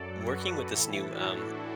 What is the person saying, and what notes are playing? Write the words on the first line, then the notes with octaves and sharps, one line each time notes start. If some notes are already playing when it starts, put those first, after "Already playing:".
working with this new, um,
Already playing: F#2 F#3 A4 D5
F#4 B4
A2 E3 E4 A4
D4 F#4